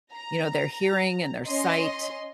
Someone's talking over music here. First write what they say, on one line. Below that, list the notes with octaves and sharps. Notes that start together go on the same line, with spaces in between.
you know, their hearing and their sight
A#5
C#4 D#5 C6